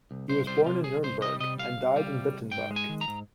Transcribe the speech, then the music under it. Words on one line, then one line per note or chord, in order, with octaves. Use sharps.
He was born in Nuremberg and died at Wittenberg.
C2
C2 C5
G3 C5
C3 F4
C2 G#4
C2 C5
G3 D#5
C3 D#5
C2 F5
C2
G3
C3
C2
G#2 G5
G#3
G#5
D#3
A#5
G#2